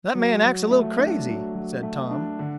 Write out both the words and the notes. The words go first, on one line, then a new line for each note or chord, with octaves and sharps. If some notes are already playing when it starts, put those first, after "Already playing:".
"That man acts a little crazy," said Tom.
F#3
F#3
A3
D4
F#3
F#3
A3
D4
D3